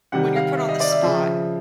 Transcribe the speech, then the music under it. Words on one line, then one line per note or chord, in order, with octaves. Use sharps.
When you're put on the spot
C3 D#3 G3 F#5
F5
E5
D#5
D5
E5
C#3 F3 E5